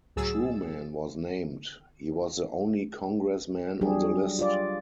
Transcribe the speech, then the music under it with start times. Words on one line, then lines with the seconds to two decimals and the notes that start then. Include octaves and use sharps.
Truman was named; he was the only congressman on the list.
0.16 C#2 A2 F#3 G#4 E6 A6
3.81 F#3 G3 D4 G4 G#4
4.39 F4 G4 D5